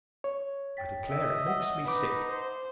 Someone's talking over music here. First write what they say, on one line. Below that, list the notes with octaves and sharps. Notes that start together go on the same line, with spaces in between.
I declare it makes me sick.
C#5
G5 A6 B6
D#5 E5
F#5
D#4 B4 D6
C5